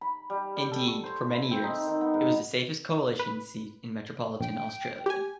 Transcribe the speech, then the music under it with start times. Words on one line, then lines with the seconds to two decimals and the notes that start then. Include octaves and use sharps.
Indeed, for many years it was the safest Coalition seat in metropolitan Australia.
0.01 B5
0.30 G3
0.56 G3
0.72 A4
0.87 C#6
1.04 C5
1.30 E4
1.51 C4
1.63 D#4
1.87 D#3
2.01 B3
2.14 G#2
3.20 B4
4.40 A#1 G5
5.06 G4 G#5